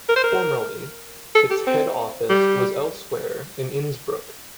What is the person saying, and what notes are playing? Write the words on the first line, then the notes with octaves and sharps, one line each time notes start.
Formerly its head office was elsewhere in Innsbruck.
A#4
C5
A#4
A4
G4
C4
G3